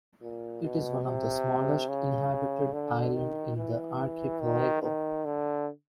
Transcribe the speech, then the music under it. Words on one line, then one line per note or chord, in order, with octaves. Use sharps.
It is one of the smallest inhabited islands in the archipelago.
A#2
B2
C3
C#3
D3
D#3
E3
D#3
D#3
D3